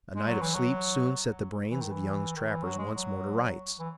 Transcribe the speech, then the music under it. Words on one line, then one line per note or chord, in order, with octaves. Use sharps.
A night of sleep soon set the brains of Young's trappers once more to rights.
G#3
F#3
E3
F#3
E3
D#3
E3
D#3
E3
F#3
G#3
F#3
E3